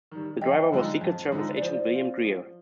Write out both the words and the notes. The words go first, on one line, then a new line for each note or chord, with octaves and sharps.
The driver was Secret Service Agent William Greer.
D#3 G3
F2 D#5 G5
D3 F3 G#3 D#4
F2
D3 F3 G#3 D#4
D5
F3 C5
C4 F4
F3